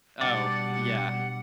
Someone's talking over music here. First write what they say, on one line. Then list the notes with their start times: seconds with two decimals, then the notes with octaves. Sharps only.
Oh, yeah.
0.21 B2 G3 D4 D5 F#5